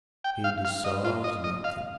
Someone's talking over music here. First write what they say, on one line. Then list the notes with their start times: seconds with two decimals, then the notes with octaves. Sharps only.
He deserves nothing.
0.24 G5
0.44 F5
0.65 F5
0.84 D#5
1.04 F4
1.24 D#5
1.44 D#5
1.64 F5